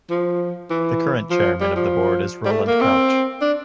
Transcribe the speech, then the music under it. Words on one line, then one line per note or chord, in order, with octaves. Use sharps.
The current chairman of the board is Roland Koch.
F3
E3
F3
G3
F3
G3
A3
A#3
C4
D4